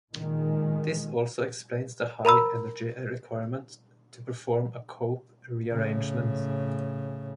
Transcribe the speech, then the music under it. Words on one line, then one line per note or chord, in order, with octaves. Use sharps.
This also explains the high energy requirement to perform a Cope rearrangement.
A#2 D#3 G#3
A#4 A#5 B5 E6
A2 C#3